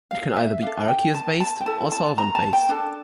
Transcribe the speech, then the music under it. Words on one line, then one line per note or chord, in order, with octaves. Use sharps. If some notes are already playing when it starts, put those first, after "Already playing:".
It can be either aqueous based or solvent-based.
F5
E5
D4 A4 F5
G5
A5
A5
G5
E4 A4 A5
A5
A#5
A5
G5
D4 A4 A5